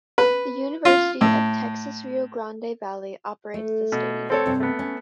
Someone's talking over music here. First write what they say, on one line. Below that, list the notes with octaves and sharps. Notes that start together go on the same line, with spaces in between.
The University of Texas Rio Grande Valley operates the stadium.
B4
F4
A2
A3
B2
C4 A4 C#5
G2 C3
A3 B3
C#4